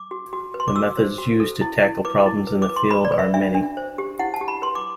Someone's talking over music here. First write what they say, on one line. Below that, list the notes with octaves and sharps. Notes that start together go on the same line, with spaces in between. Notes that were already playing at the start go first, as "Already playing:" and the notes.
The methods used to tackle problems in this field are many.
Already playing: D6
F#4
F#4
B4
C6
D6
F#4 E6
C5
F#4
A4
E4
E4
B4 D6
E4
B4
D6
B4
C6
B4 B5
D5
B4
E5
D4 E5
D4
C5
G4
E4 F#5
A5
G4
B5
B4 C6
D6